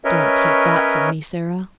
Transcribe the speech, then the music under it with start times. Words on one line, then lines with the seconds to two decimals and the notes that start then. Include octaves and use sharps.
Don't take that from me, Sara.
0.05 C#4 A#4 B4 C#5 D#5 E5